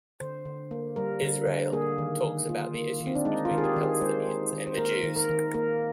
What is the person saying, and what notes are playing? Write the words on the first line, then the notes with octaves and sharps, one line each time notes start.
"Israel" talks about the issues between the Palestinians and the Jews.
D3 C5
D3
A#3
G3 A#4
D3
D3
A#3 G#4
D#3
D#3
A#3 F4
A#3
D#3
C4
D4
G#3 D#4
F4
D#3
G#4
G4
D#3
G#4
G#3 C5
G#3
D#3
C5
A#3 A#4
D#3
A#4
D#3
A#3 A#4